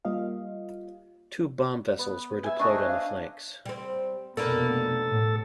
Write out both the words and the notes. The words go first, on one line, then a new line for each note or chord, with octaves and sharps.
Two bomb-vessels were deployed on the flanks.
G3 A#3 F4 D#5 F5
B3
E5 G#5
D4 D#5 C#6
C5
F5
G3 C4
F1 B2 A#3 B3 D4 A4 B4
A2